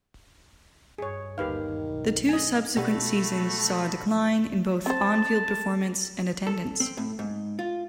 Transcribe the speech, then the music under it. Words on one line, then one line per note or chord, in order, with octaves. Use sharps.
The two subsequent seasons saw a decline in both on-field performance and attendance.
G2 G#4 C#5
G1 D#2 D#3 G4 B4 F5
B1
D#5 G#5
B2 G3 A3 B3 F#4 A4 B5
C4 C5 A5
A4
C4
A2
G#2
F4